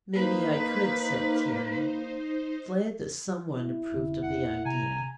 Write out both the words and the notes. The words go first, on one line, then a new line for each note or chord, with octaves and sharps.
"Maybe I could," said Carrie, glad that some one approved of the idea.
A#3 D#4 B4 C5
E4
F1 D3 C#4
E1 C4 F#5
C3 G#5 A#5